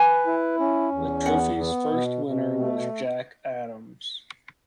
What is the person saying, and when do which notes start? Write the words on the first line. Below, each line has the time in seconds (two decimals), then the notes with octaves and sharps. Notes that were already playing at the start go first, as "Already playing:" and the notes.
The trophy's first winner was Jack Adams.
Already playing: B4 G#5
0.26 E4
0.60 C#4
0.92 E2
1.26 B3 F#5
1.59 B3
1.93 B2
2.26 B2
2.59 A3